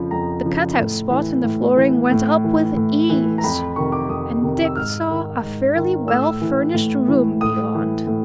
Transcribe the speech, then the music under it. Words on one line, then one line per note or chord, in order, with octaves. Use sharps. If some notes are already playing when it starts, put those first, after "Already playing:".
The cut-out spot in the flooring went up with ease and Dick saw a fairly well furnished room beyond.
Already playing: F2 C#3 F3 B5
F2 A#5
C#3 F3
A2
E3
A2
E3
A2
E3
A2
E3
A#5
F2 B5
C3 D#3 C#6
D6
F2 D#6
C3 D#3
E6
G#2 F6
D#3
G#2
D#3
A2 E6
E3
A2
E3
A2 D#6
E3
A2